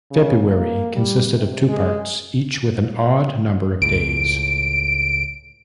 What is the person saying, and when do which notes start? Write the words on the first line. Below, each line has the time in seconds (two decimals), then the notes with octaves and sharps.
February consisted of two parts, each with an odd number of days.
0.11 C#3
0.47 A#3
0.95 G3
1.36 C3
1.68 G#3
3.82 C#2 A2 D7